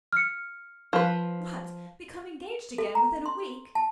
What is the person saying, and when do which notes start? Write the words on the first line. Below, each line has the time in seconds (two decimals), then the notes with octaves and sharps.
"What; become engaged again within a week!"
0.13 F6 C#7
0.93 F3 B4
2.78 A4
2.95 A#5
3.26 C6
3.75 A5